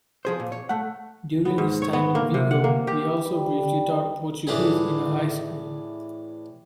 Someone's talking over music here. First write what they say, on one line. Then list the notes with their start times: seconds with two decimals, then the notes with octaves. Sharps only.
During his time in Vigo, he also briefly taught Portuguese in a high school.
0.25 F3 G#4 C5
0.40 A#2
0.52 C#5
0.69 A3 F#5
1.45 B3
1.58 G#2
1.82 C#5
1.93 B3
2.15 A#3
2.34 C3
2.51 F#5
2.64 A#3
2.87 G4
3.25 G3
4.47 A2 E3 D4 G4 G#4